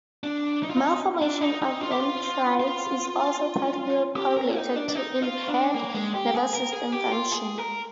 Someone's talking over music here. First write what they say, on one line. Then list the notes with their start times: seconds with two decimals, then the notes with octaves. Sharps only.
Malformation of dendrites is also tightly correlated to impaired nervous system function.
0.24 D4
0.63 D#4
0.70 F4
0.77 D#4
1.22 D4
1.41 D#4
1.62 D#4
1.81 F4
1.91 G4
2.00 F4
2.60 F4
4.16 G4
4.37 A#4
4.56 D#4
4.76 D4
4.89 D4
4.95 D#4
5.22 F4
5.48 D4
5.74 A#3
5.94 G#3
6.14 G4
6.34 G#4
6.53 A#4
6.73 G#4
6.92 G4
7.12 F4
7.32 G#4
7.58 A#4